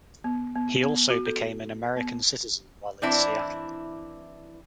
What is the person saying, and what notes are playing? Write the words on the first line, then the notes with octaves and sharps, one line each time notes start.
He also became an American citizen while in Seattle.
B3
B3
B3
F#4
A4
B3
E3 C4 D4 E4